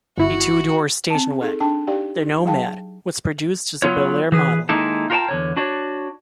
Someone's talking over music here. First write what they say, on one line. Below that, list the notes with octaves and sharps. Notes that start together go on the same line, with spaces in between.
A two-door station wagon, the Nomad was produced as a Bel Air model.
G1 E4 F#4
C4 A5
D#4 G#4 A4
D4 G5 A5
D#4 G4 D5 F5 G5
D#4
F#3 G#4 F5 G5 A5
F#3 B3 F4 C#5
E3 G#4 B4
D#3 G#3 A#3 D#4 E4 A4
F4 F#4 A#4 C#5 G5 A5
E2 D3 C#5
D4 F#4 C#5 D5